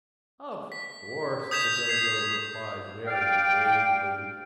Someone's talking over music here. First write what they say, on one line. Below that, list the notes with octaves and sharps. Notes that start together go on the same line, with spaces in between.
'Of course,' the Dodo replied very gravely.
B6
D#6 G6 G#6 B6 E7 F7
G#6 C7
D5 F5 G5